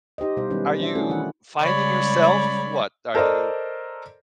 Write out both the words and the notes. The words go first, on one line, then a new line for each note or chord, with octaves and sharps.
are you finding yourself, what, are you
D#4 G4 C5 D#5
B2 G3 E4 C5 F5
D#3 F#3 G3 C#4 E4 B4
E3 D4 F#4 C5 D5 E5
A3 C#4 E4 F#4 G#4 A4
D#3 E3 F4 F#5
C#3 G3 G#3 C#5 D5 B5
A4 A#4 C5 D5 D#5